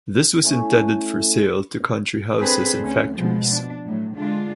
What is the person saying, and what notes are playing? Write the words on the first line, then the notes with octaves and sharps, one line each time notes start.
This was intended for sale to Country Houses and factories.
A3 C#4 E4 A4
C4 D4 G#4 A4 B4 C5
D2 C#4
B2 F3 G#3
D4
A2 F#3
D3 G#3 D4 F4